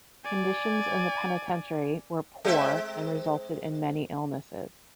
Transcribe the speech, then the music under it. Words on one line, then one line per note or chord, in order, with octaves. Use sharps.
Conditions in the penitentiary were poor and resulted in many illnesses.
D5 G#5
G#3 C4 E5